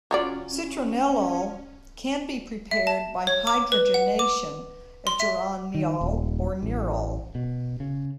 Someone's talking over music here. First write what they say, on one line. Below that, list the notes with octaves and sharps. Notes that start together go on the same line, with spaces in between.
Citronellol can be prepared by hydrogenation of geraniol or nerol.
F#3 C#4 F4 D5
E5
A5
C#5
D6
B4
F#5
D6
C6
E5
D#3
D#1
A1
B2
C#3